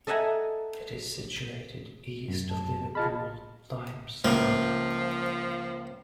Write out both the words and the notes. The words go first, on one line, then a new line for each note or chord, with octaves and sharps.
It is situated east of Liverpool Lime Street.
A4 D#5 E5 F#5 G#5 A#5
F#2
A5
F4 G#4 D#5 A5 B5 F6
C#2 C3 F3 A#3